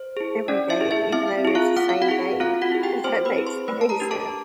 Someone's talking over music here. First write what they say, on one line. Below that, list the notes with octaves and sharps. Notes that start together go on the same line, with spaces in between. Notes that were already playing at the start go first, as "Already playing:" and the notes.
every day, even though it's the same thing, if that makes any sense,
Already playing: C5
E4 G#4
C#4 D4 D5
E4 E5
E4 G#4
E4 E5
C4 E4 E5
E4 G#4
F4 F5
C4 F#5
F5
F#4 F#5
E4 G#4
C4 F4 F5
F#4 F#5
E4 G#4
G4 G5
C4 C5 C6
B4 B5
E4 G#4
C5 C6
A3 B4 B5
A5
A#4 A#5
D4 G4
A4 A5